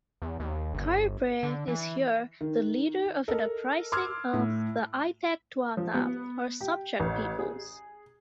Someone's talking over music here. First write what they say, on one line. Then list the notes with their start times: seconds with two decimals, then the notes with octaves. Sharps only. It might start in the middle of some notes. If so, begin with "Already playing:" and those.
Cairbre is here the leader of an uprising of the "aithech-tuatha" or "subject peoples".
0.22 E2
0.40 D#2
0.74 G1
1.43 D3
1.68 E3
2.41 D#3
3.28 A4 A#4 D#5
3.92 C6 D6 E6 F6 G#6
4.33 A2
5.77 F3
5.94 B3
6.61 G4
7.00 A1
7.39 G#4